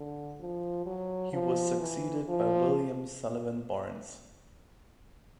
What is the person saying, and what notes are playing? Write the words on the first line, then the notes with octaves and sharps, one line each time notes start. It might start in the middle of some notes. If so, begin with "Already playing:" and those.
He was succeeded by William Sullivan Barnes.
Already playing: D3
F3
F#3
F3
E3
F3